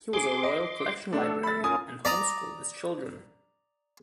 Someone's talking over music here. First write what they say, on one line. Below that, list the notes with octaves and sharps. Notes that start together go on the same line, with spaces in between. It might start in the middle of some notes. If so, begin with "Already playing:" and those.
He was a Royal Collection librarian and homeschooled his children.
G#4 C6 D6
D#5
A3 D4 A4
B5 A6
C#4 F4 A#4 G#5 D#6
D5 A#5 D#6